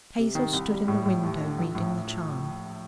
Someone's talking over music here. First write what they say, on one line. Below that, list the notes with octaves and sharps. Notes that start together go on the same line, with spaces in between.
Hazel stood in the window reading the charm.
C3
D#3
C2
G3
A2
A2
D#2
D3
A#1
A2